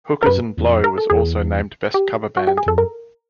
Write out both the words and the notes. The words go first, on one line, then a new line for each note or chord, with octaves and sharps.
Hookers N' Blow was also named Best Cover Band.
A#4
F#2 B4
E2
F2
A#4
A4
E2 G#4
G4
F#4
G4
G#4
F2 A4
F#2 A#4